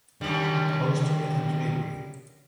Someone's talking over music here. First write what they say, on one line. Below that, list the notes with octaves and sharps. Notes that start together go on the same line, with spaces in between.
Upholstery and drapery.
F#2 D3 D#3 G3